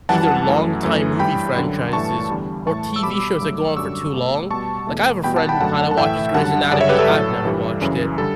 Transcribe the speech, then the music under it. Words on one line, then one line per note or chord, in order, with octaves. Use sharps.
either long time movie franchises, or TV shows that go on for too long. Like I have a friend who kind of watches Grey's Anatomy- I've never watched it-
F#2 E3 G3 F#5 A5
F#2 E3 A3
F#2 E3 A3
G2 E3 G3 G5 B5
F#2 D3 F#3
G2 E3 A3 A5 C#6
E2 D3 G3
A2 E3 A3 A5 C#6
E6
B2 G3 B5 D6
G2 F#3 A3
F#2 D3 G3 C#6 E6
B2 A3
B2 G3 A5 C#6
E2 B2 A3
E2 B2 G3 G5 B5
F#5 A5
G5 B5
F#2 D3 F#3 A3 F#5 A5
A5
A2 E3 A3 E5 G5
F#2 D3 G3 F#5 A5
F#2 C#3 G3 D5 F#5
C#5 E5
G4 B4
A4
A2 F#3 A3
G2 E3 G3
F#2 C#3 E3
D3 G3 A4